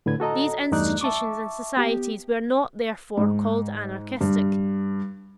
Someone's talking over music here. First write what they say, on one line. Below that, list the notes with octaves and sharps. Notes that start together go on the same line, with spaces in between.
These institutions and societies were not, therefore, called anarchistic.
A2 D3 B4 G#6
F#4 A4 D#5 A#5
E2 G2 A3 D#4 D5 F#6
E5 A5 C#6 D6
B3 G4
G#2
G2